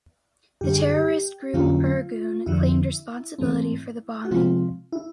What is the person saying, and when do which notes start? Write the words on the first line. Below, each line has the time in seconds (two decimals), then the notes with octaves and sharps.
The terrorist group Irgun claimed responsibility for the bombing.
0.61 F#2 D3 G3 G4
0.75 G#4
0.89 G4
1.54 F2 D3 F#3 A#3 C#4 F4
2.46 F2 D3 F3 E4
3.38 G#2 E3 A3 C4
4.25 F#4
4.31 C3 F3 G#3 C4 F4
4.92 E4